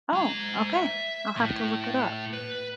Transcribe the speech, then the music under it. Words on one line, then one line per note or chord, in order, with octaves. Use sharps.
Oh, okay, I'll have to look it up.
G#3 A#5
E5
A2
B4